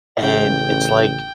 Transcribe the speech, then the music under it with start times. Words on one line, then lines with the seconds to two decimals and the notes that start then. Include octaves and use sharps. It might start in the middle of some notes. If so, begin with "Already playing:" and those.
And it's like
0.23 A1 C#3 G5